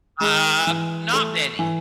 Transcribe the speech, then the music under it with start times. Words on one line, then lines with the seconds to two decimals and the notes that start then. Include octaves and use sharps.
Ah, not many.
0.21 G#3
0.67 E3
1.13 A3
1.59 E3